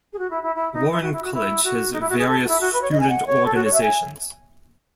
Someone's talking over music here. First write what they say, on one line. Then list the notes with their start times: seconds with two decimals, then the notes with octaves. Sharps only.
Warren College has various student organizations.
0.13 G#4
0.18 F#4
0.30 E4
0.43 E4
0.55 E4
0.73 D#4
0.91 E4
1.02 F#4
1.13 E4
1.23 F#4
1.33 E4
1.64 F#4
1.93 D#4
2.00 E4
2.09 F#4
2.18 G#4
2.27 A4
2.44 F#4
2.48 E4
2.61 F#4
2.73 B4
2.82 C#5
2.91 D#5
3.00 G#5
3.09 F#5
3.27 C#5
3.45 A4
3.55 F#4
3.64 C#5
3.73 E5
3.82 G#5